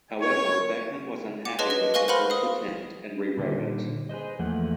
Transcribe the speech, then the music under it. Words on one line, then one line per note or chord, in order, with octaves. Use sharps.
However Beckmann was unhappy with the first attempt and rewrote it.
C#5
F#5 D6
G#4 B4 C#5 D#5 A5 C6
B4 D#5
A#4 B4 F5 G#5 C#6 A#6
B4 C5 F#5 B5 C6 F6
F5 D#6
A#2 D3 D#3 G3
G#4 B4 C5 D#5
E2 F3 A3 A#3 F#5